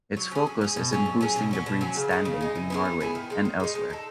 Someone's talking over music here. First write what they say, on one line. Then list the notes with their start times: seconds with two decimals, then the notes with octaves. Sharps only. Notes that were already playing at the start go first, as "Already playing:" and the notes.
Its focus is in boosting the breed's standing in Norway and elsewhere.
0.17 F#3
0.31 C#4 G#4
0.47 F#3
0.61 C#4 G#4
0.76 B2
0.91 F#3 C#4 G#4
1.06 B2
1.21 F#3 C#4 G#4
1.36 B2
1.51 F#3 C#4 F#4
1.66 B2
1.81 F#3 C#4 F#4
1.96 C#3
2.11 G#3 D#4
2.25 C#3
2.41 G#3 D#4
2.55 E3
2.70 B3 E4 G#4
2.85 E3
3.00 B3 E4 G#4
3.15 D#3
3.30 G#3 D#4
3.45 D#3
3.60 G#3 D#4
3.75 G#3
3.90 D#4 A4